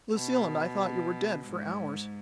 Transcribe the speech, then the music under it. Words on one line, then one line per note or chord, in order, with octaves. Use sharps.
Lucille and I thought you were dead for hours.
B2
G#2